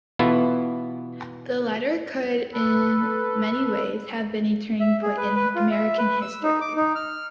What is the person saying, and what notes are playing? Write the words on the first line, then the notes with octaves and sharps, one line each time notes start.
The letter could in many ways have been a turning point in American history.
B2 E3 B3 E4 F4 A4
A4 B4
E5
G#4
B4
B4
F4
E5
B4
E6
D#4
D6
D#4
F6